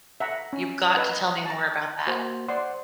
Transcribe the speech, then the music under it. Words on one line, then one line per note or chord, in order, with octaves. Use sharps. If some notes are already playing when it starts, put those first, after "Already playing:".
You've got to tell me more about that.
E5 F#5 A#5
C#4
B4 D#5 E6
A5 A#5
A#3 F#4 C5
C5 D5 F#5 C6